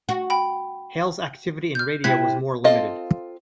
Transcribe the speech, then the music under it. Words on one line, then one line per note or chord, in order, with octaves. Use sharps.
Hale's activity in radio was more limited.
F#4
G5 B5
F6 G6
C3 C4 E4 F#6 G#6 B6
C4 F4 A4 D#5 F5